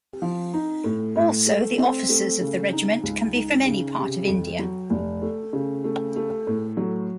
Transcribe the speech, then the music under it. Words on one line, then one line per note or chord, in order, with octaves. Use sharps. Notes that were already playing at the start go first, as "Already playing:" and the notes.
Also the officers of the regiment can be from any part of India.
F3
D#4
A2
A2
A3
C4
A3
C#3
D#4
C#2
D#4
C#3
C3
F2
F#3
F1
A3
C#3
A3
A3
A2
F#3